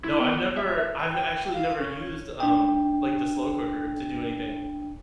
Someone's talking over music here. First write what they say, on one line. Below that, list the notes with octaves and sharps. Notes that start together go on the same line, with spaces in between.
No, I've never I've actually never used, um, like, the slow cooker to do anything.
E4
B3
E5
G5
F5
C#4
C#5
D4 G5